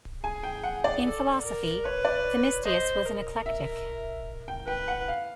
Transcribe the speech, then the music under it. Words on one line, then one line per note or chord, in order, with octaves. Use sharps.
In philosophy Themistius was an eclectic.
G#4 G#5
G5
F#5
D5
A4
A#4
B4 C#5
D5
C5 D#5
A#4
E5
G5
B4 G5
F#5
F5